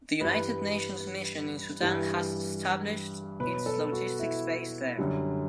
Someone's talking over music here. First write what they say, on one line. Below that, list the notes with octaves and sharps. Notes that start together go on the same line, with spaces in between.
The United Nations Mission in Sudan has established its Logistics Base there.
G2 E3 G3 B4
G2 E3 G3
B2 F#3 B4
A4
F#4
E4
F#2 D3 G3